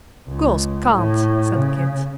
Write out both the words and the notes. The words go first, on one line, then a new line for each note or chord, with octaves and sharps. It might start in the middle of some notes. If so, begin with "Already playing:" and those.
"Girls can't," said Kit.
C#2
A2
C#3